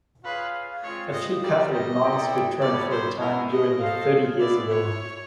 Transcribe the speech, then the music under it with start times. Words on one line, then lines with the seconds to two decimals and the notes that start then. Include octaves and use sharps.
A few Catholic monks returned for a time during the Thirty Years' War.
0.24 F4 G#4 B4 C#5 F5
0.83 G#3 C4 F4 C#5
1.12 D#5
1.42 G3 C4 D#4 G4 D5
1.72 D#5
2.02 E4 A4 D5 G5
2.61 G3 B3 E4 A4 C#5 D5
2.91 C5
3.20 G#3 C#4 E4 A#4
3.50 D#5
3.79 F4 A4 C5 F5
4.39 G#3 B3 E4 D5
4.69 C#5